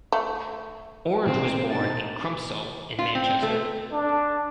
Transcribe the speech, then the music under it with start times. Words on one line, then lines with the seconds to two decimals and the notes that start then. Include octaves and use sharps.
Orange was born in Crumpsall in Manchester.
0.12 A3
1.26 A#2 A#3 C4
1.71 B2 D4 D#4 A6
2.99 F4
3.15 C4
3.43 A3
3.92 D4